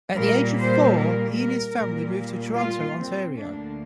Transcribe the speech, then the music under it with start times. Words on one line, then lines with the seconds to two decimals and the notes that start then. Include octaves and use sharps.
At the age of four, he and his family moved to Toronto, Ontario.
0.17 A#2 G3 A#3 A#4
0.57 C5
0.96 A#4
1.36 A#4
1.77 A#2 G3 A#3
2.57 F4
2.97 C4
3.37 D2 D3 A#3 D4